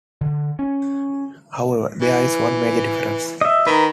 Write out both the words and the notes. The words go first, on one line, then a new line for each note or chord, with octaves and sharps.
However, there is one major difference.
D3
C#4
E3
D#5 E5
D#3 B4 A#5